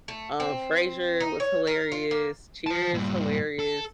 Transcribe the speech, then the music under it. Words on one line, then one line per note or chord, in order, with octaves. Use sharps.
um, Frasier was hilarious. Cheers, hilarious.
A3
C4
D#4
C#5
A#4
F4
A#3
C5 A5
G2 A#2
A4